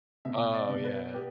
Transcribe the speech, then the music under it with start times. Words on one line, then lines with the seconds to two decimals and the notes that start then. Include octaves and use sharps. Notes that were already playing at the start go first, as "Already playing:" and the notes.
Oh, yeah.
0.25 B2 E5
0.54 D5
0.69 B2
0.84 B4
1.14 B3 G4